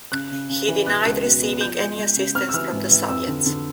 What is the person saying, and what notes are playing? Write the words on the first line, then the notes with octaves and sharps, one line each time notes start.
He denied receiving any assistance from the Soviets.
C#3 F#6
C#3
C#3
E3
B2 F#6
C#2 F#6
B2
B3
F3 G6
G#3
G#3
C#3
C4 F6
E6
E3 F6
G#2
E3
F2 E6
D3
D3